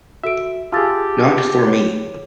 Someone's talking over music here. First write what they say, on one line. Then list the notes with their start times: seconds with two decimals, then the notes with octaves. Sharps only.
Not for me.
0.24 F#4 A4 E5 D7
0.72 F4 G4 G#4 A5 E6 A6
1.66 C#5